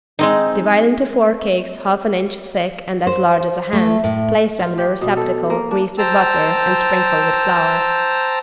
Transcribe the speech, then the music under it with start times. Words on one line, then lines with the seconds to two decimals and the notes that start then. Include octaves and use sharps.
Divide into four cakes half an inch thick and as large as a hand, place them in a receptacle greased with butter and sprinkled with flour.
0.19 G#3 C4 D#4
3.07 C5
3.73 A3
4.04 A2
4.59 F4
4.78 G4
5.01 B2
5.17 A4
5.50 A#3
5.71 D4
5.98 C5 G5 A5 A#5 E6